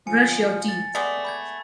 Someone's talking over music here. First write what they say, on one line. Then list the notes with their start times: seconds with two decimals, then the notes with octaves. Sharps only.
Brush your teeth.
0.07 D3 F3 G#5 C#7
0.68 A6
0.95 G#3 A3 B3 G4 A4 D5
1.25 B5 G6 G#6